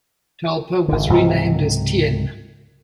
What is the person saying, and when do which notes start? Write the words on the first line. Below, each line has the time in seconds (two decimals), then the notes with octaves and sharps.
Talpa was renamed as Tien.
0.88 G#1 D3
1.09 C#2 G#2 C3 F#3